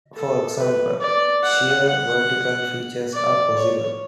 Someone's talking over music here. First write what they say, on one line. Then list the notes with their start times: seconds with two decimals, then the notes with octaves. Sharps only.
For example, sheer vertical features are possible.
0.15 A4
0.58 B4
1.01 D5
1.43 F#5
1.86 F#5
3.14 D5
3.56 C#5